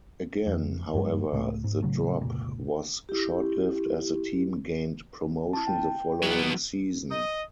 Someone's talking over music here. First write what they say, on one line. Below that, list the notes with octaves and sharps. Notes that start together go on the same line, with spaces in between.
Again, however, the drop was short-lived as the team gained promotion the following season.
F2
F#1 G2 F#3 G#3
C#2 A2 A3
G#2
A2 C#3 F#3 A3
F1 C#2 A#2
E4 G4
E4 A5
G5
F#3 B3
D#5